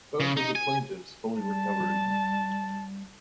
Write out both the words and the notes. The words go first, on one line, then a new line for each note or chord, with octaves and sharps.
Both of the plaintiffs fully recovered.
C#3
D#4
G#5
G3 A5